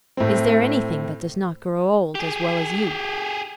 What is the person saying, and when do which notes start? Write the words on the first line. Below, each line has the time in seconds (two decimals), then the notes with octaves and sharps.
Is there anything that does not grow old, as well as you?
0.17 A2 C4
2.15 G4 G#4